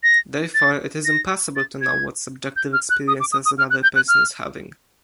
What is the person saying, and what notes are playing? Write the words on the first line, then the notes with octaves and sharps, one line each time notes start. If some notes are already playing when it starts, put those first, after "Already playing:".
Therefore it is impossible to know what subjective experiences another person is having.
A#6
A6
A#6
A6
G#6
G6
F6
F#6
D#6
D6
D#6
D#6
F6
F#6
G6
F#6
F6